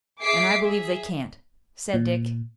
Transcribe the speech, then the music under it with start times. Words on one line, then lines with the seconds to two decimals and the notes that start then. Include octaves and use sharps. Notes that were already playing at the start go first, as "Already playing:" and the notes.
"And I believe they can't," said Dick.
0.22 G#4 E5 D6 B6 C7 D7
0.61 G#4 E5
1.94 A#2